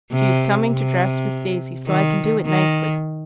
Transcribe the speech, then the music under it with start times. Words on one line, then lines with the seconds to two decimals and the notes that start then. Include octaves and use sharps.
She is coming to dress with Daisy, so I can do it nicely.'
0.12 C3
0.70 C3
1.87 D#3
2.45 D#3